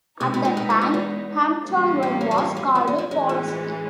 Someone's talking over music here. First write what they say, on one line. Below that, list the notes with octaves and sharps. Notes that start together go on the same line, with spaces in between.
At the time, Hamptonville was called "Pollasky".
C3 G#3 B3 D#4
B2
A#2
A2
F2
F2
E2
A2 E3 G3 A#3 C#4
F2
F#2
E2
F2
F#2
F2
E2
F2
F#2 A2 E3 G#3 C#4
F2
F2